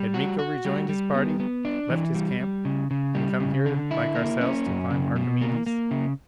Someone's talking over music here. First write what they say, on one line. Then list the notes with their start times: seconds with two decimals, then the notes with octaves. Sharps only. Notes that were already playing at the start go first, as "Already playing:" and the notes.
Had Miko rejoined his party, left his camp and come here like ourselves to climb Archimedes?
Already playing: G3
0.14 F#4
0.39 F#4
0.65 G3
0.89 G3
1.14 B3
1.40 B3
1.65 D4
1.90 E3
2.15 G3
2.40 G3
2.65 C#3
2.91 C#3
3.15 G3
3.40 C#3
3.66 D3
3.91 E4
4.15 A#3
4.41 C#4
4.66 F#2
4.90 C#3
5.16 B2
5.41 A#3
5.66 A#3
5.91 C#3